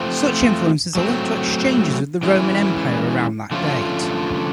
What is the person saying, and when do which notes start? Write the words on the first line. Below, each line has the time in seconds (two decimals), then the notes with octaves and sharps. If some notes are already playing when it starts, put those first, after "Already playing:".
Such influences are linked to exchanges with the Roman Empire around that date.
Already playing: F3 A3 C4 F4
0.95 F#3 A3 C4
2.23 E3 G#3 C#4 E4
3.51 D3 F3 A3 C#4 F4